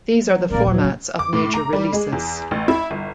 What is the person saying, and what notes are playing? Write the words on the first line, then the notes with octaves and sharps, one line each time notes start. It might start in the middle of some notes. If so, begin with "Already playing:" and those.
These are the formats of major releases.
F#3
A#1 C3 A#3 A#4 D5
D#2 A#2 F#3
A#3
D6
A2
A#5
G3
G#3
E2
A1
E4
G1